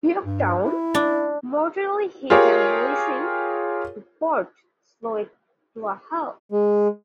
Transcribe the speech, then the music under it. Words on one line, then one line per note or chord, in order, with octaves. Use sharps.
"Yorktown", mortally hit and listing to port, slowed to a halt.
G2
E4
D4
F4 G4 G#4 A#4 C#5
G#3